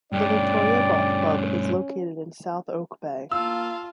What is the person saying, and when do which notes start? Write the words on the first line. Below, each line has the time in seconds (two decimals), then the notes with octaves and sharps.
The Victoria Golf Club is located in South Oak Bay.
0.12 G2 A3 C#4 D5 G5
3.32 A#3 F4 F5 A5 E6